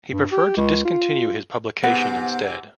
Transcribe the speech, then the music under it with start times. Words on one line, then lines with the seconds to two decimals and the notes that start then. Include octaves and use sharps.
He preferred to discontinue his publication instead.
0.12 G2
0.32 G4
0.57 C#2
0.85 F4
1.84 G#2 C3 B3 F#5